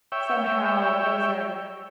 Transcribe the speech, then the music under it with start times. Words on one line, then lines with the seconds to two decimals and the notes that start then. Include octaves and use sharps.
somehow doesn't
0.12 C#5 E5 G5